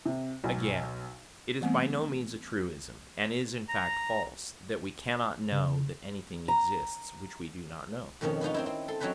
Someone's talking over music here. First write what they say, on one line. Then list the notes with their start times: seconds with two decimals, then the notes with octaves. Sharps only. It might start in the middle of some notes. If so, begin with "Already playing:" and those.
Again, it is by no means a truism, and is in fact false, that we cannot know that anything exists which we do not know.
0.06 C3
0.44 B1
1.61 E3 G3 A3 B3 C4
3.69 A#5
5.52 C#3
6.48 A#5
8.21 F2 B2 D#3 F3 C#4
8.41 B3 C#4 D#4 F4
8.54 C4 D#4 E4
8.66 C4
8.88 A4 C6
9.00 F#3 C4 C#4 D#4 B4 C5